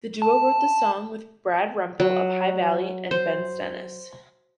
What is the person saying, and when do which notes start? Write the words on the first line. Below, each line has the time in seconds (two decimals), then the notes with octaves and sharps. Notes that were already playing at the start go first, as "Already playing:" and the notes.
The duo wrote the song with Brad Rempel of High Valley and Ben Stennis.
0.22 A5
2.00 F#3
3.11 C5